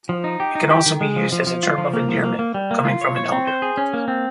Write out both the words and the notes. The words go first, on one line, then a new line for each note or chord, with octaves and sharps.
It can also be used as a term of endearment coming from an elder.
F3
D#4
G4
D#4
G4
D#3
G#3
F3
F3
F3
F4
F3
A#3
F3
A#3
A#3
G3
A#3
F4
C#5
C#5
C4
C5
G#4
C#4
A#3
C4